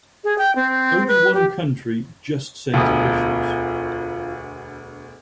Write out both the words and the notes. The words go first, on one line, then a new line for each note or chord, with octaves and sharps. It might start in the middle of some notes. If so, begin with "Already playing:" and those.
Only one country just sent officials.
G#4
G5
C4
B4
G4
E1 D2 F4 D#6